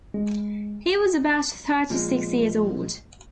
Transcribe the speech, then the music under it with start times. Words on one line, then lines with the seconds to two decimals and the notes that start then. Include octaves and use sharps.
He was about thirty-six years old.
0.14 G#3
1.90 A#2 F3 G#3